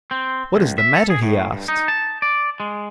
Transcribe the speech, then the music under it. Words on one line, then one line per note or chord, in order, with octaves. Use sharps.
"What is the matter?" he asked.
C4
C#2
E5
A4
G#4
A2
G2
D#4
A5
D5
G#3